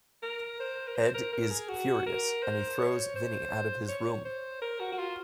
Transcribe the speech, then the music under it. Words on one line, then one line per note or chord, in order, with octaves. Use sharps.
Ed is furious and he throws Vinnie out of his room.
A#4
C5
A#4
C5
A#4
A#4
G#4
F#4
A#4
C5
C#5
C5
C#5
C5
A#4
F#4
F#4
F4